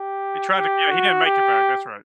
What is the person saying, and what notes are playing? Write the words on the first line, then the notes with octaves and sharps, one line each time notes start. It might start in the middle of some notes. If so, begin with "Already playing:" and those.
He tried to, yeah. He didn't make it back, that's right.
Already playing: G4
G4
F#4
G4